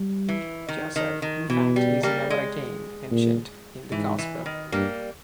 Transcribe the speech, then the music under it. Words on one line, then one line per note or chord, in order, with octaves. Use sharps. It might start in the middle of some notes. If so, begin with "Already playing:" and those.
Joseph, in fact, is never again mentioned in the Gospel.
Already playing: G3
E3
D#3
D#3
D#3
B2 E3
G3
G3 A#3
G#3
A#2
G#2 E3
E3
D#3
G2 G3 A#3